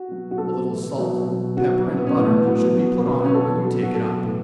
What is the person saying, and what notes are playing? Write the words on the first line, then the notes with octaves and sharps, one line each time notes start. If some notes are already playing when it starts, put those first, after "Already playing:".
A little salt, pepper, and butter, should be put on it when you take it up.
Already playing: F#4
B2 F#3
F#4
B2 F#3 A4
A2 E3
B2 F#3
B2 F#3
B2 F#3 F#4
B2 F#3 E4
B3
C#4
A2 E3 B3
A3
A2 F#3 B3
B2 F#3
B2 F#3 B3
B3
C#4
B2 F#3 A4
B2 F#3
F#4
B2 F#3 A4
A2 E3